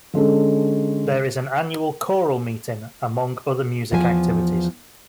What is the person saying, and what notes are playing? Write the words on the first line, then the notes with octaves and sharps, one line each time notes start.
There is an annual choral meeting, among other music activities.
D3 G#3 C#4 A4
E2 F3 G#5